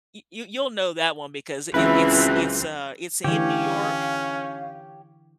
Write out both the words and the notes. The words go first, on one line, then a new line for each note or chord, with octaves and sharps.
you you you'll know that one because it, it's it's, uh, it's in New York
C#2 E3 F#3 C4 E4 B4
D3 E3 C#4 G4 C#5 F5